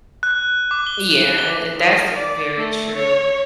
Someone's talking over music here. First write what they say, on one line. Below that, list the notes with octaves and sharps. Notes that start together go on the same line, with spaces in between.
Yeah. And and that's very true.
F#6
D6
G7
G7
D#3
D5
A3
C#5